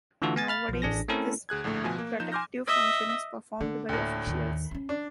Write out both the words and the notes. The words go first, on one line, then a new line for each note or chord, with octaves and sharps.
Nowadays, this "protective" function is performed by officials.
D3 E3 A3 F4 F#4 A4
B3 G#5 A6
F5 B5 F6 A6
B1 F3
A1 D4 G#4 A#6
A3 C4 C#4 E4 A4 A#4
D2 G#4 F#6 G#6
A#1 A2 D3 A3
B2 F3 G#5
A#3
F3 D#4 G6 E7
G#5 C6 D6 F6 G6 A#6
D#5 E5
D3 A#3
D2 A2
D#2 D#3
C4 C#4
D4